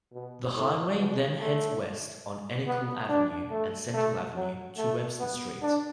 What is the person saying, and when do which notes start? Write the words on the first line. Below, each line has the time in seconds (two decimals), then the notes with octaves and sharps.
The highway then heads west on Encinal Avenue and Central Avenue to Webster Street.
0.13 B2
0.55 A2
0.98 B2
1.40 A3
2.67 B3
3.09 D4
3.51 A3
3.94 A3
4.36 F#3
4.78 A3
5.20 B3
5.62 D4